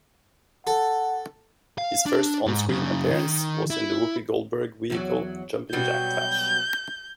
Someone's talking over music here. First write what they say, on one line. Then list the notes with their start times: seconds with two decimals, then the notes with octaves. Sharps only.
His first on screen appearance was in the Whoopi Goldberg vehicle "Jumpin Jack Flash".
0.67 A4 F#5
1.78 F5
2.06 D4
2.46 G#2
2.69 F#2 C#3
3.12 D#3
3.70 E4
4.90 E2 F#3
5.73 B2 F#3 G3 G6